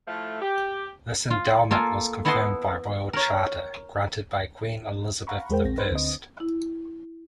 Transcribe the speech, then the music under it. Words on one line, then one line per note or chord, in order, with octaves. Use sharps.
This endowment was confirmed by Royal Charter granted by Queen Elizabeth the First.
A2 F3 A3
G4
F4
A#3 F4 A4 G#5
B3 E4 D#5 F#5 A5 C6
A#4 C#5
F5 F#5 A#5 B5 C#6
E2 G#3 G#4 A#4 C5 G5
A#1 C4 A#6
D#4 B4 C5
D2 D3 C4 D#5
E4